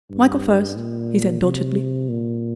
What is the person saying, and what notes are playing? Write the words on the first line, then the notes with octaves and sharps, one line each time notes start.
"Michael first," he said doggedly.
G2
A#2
C3
A#2